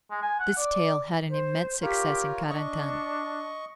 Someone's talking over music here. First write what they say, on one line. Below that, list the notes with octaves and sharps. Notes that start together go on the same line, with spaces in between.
This tale had an immense success in Carentan.
G#3
G#5
F#5
D5
C5
F4 G4 A#4 C#5
D4 D#5 C#6